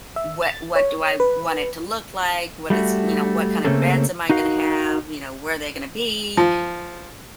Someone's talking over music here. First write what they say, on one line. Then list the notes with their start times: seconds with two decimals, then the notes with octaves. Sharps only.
"What what do I want it to look like? What is you know, what kind of beds am I going to have, you know, where are they going to be?
0.16 E5
0.42 A6
0.76 C#5
1.20 B4
2.70 G3 A3 F#4
3.64 C#3 A3 A#3 C4 C#4 A4
4.29 D#4 F#4 A#4 F5
6.37 F3